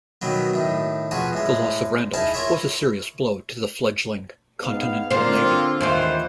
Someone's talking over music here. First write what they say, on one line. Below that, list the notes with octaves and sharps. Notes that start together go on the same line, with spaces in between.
The loss of "Randolph" was a serious blow to the fledgling Continental Navy.
B2 D#3 F#3 B3
A2 D#3
B2 F3 F#4 G#4
A2 G#3
D#4 E4 G#4 F5 A5
E4 F4 A#4 C#5 E5
G#2 B3 F5
D3 A#3 C4 F4 C5
D#2 E3 F4 C5